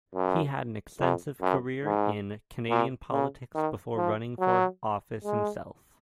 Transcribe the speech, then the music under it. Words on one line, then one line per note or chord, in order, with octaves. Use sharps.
He had an extensive career in Canadian politics before running for office himself.
F#2
F2
F#2
G#2
A#2
C#3
D#3
F3
F#3
G#3